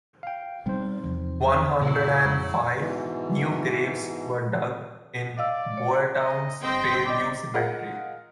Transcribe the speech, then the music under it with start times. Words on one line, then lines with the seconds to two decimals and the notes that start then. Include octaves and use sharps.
One hundred and five new graves were dug in Boyertown's Fairview Cemetery.
0.23 F5 G5
0.66 B2 G3 G#3 C4 D#4 C5
1.04 E2 C3 F3
1.81 F#2 A#2 F#3 E4
2.25 F2 G#3 G#4
2.79 G#2 B2 E3
5.38 D5 D#5 F5 E6
5.77 C#5
6.19 D#5
6.63 G1 C4 C5 D#5 G5
7.06 B3 D5 D#5
7.54 F4 G#4 A#4 D#5 F#5